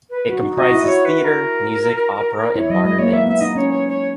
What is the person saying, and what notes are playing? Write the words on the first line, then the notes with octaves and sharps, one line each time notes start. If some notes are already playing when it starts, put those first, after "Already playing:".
It comprises theatre, music, opera and modern dance.
B4
F#4
D#4
F#4 D#5
E4
F#4 C#5
B4
A#4
E4 C#5
F#3 D#5
G#3 D#5
A#3 C#5
B3 E5
B3 E5
D#4 D#5
C#4 C#5
C#5
C#5